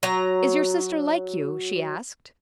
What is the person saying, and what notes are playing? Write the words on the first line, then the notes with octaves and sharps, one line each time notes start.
"Is your sister like you?" she asked.
F#3 A#5